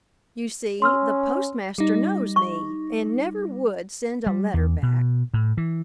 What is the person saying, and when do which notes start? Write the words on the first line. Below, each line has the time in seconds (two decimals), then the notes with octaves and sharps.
You see the postmaster knows me and never would send a letter back.
0.82 C#4 C6 E6 F6
1.78 G3 D#4
2.36 C#6
4.26 G3
4.54 E2
4.83 B2
5.34 A2
5.57 E3